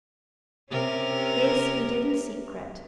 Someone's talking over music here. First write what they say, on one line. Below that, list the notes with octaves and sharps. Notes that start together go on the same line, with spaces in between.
This he did in secret.
C3 C#4 A#4